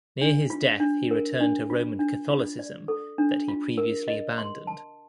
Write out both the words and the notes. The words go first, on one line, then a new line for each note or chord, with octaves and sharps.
Near his death he returned to Roman Catholicism that he previously abandoned.
D4
F4
D4
A#4
D4
F4
D4
F4
D5
A4
D4
F4
A#4
D#5
C6
A5